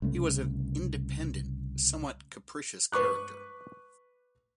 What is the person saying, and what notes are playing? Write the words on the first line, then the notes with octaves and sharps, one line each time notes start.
He was of independent, somewhat capricious character.
C2 C#3 A3
B4 C#6 D6 F#6